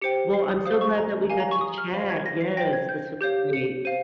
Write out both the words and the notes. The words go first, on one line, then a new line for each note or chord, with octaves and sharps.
Well, I'm so glad that we got to chat. Yes, this was great.
G4 C5 G5 C#7
C7
D#6
C5 F5 D#6
C#6
A#5
G4 A#4 F5 G#5
A#5
C#6
D#6
F6
C5 F5
G#6
A#6
C7
C5 G5 A#6
G#6
G6
G4 C#5 F5 G6
C#7
C5 F5 D#7